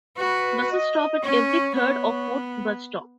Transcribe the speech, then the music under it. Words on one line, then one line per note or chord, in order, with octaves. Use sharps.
Buses stop at every third or fourth bus stop.
F#4 B4
D#5
C#4 C#5
B3 C#5